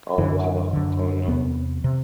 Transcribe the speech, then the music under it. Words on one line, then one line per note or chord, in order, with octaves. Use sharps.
Oh wow. Oh no.
F#2 D3 E3
F#2 D3
E2 C3 B3
C3